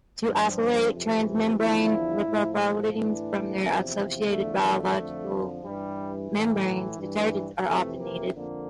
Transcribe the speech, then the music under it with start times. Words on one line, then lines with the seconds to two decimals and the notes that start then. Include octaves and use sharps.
To isolate transmembrane lipoproteins from their associated biological membranes, detergents are often needed.
0.23 G2 F3
0.91 F2 C3 E3
1.58 E2 D3 F3 E4
2.26 A2 F3
2.93 A2 E3 D4
3.61 E2 C3 F3
4.29 E2 D3 F3 A3
4.62 A3
4.96 F2 D3 F3
5.64 G2 E3 G3
6.31 A2 E3
6.98 G2 E3
7.66 F2 C3 E3 A3
8.00 A#3
8.34 F2 D3 F3 A#3